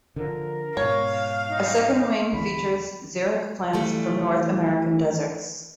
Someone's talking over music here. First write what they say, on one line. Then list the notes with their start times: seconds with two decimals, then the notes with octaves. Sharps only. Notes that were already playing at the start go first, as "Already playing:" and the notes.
A second wing features xeric plants from North American deserts.
0.16 D3 F3 A#4
0.77 G#2 B2 C#5 F5
1.49 D#4
2.33 E2 D3 B5
3.73 E3 G3 A3